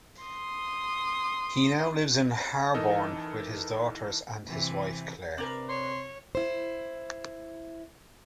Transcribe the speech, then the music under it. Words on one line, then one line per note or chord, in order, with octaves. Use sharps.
He now lives in Harborne with his daughters and his wife Claire.
C6 D#6
E3 D#4 A4 A#4 D#5
C3 E3
C3 D4 A#4 B4
C#5 C6
E4 C5